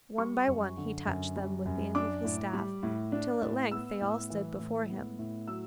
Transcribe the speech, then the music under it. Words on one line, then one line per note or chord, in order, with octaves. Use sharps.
One by one he touched them with the end of his staff, till at length they all stood before him.
G3 C#6
F#2
D3
F#2
G3
F#2
D4 D6
A2
G3
A2
D4
A2
B3 E6
A2
E3
A2
B3
A2
F#3 E6